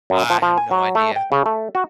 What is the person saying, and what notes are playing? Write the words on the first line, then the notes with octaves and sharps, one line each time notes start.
I have no idea.
F#2
F3
F3
G#5
F#3
A3
G5
C#3
A3
F#4